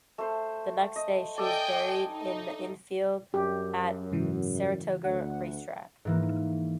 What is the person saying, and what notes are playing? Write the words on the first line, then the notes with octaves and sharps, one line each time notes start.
The next day, she was buried in the infield at Saratoga racetrack.
A3 C5
D#5
A4 D5 D#5 G5 G#5
D#4
F#2 G4
G#2 C#3 E3
D2 F#5
G#2 E3 A#3